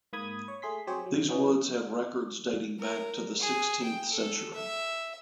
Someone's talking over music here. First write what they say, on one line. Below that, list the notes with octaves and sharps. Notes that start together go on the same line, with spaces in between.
These woods have records dating back to the sixteenth century.
G#2 A#3 B5 D#6 G#6
C#5
A3 G#4 C6 B6
F#3 C4 G4 G#4 C5 C#5
F#3
E3 F#3 B3 C#4 D#4
A#4
G#4
G5
A4
E5